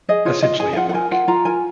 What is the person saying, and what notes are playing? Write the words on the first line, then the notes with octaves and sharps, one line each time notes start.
essentially at work.
G#4 D#5
F4 C#5
F4 D#5
G#4 G#5
F5
F4 F#5
F#5
A#4 G#5
F4 F#5
F4 A#5
A#4 G#5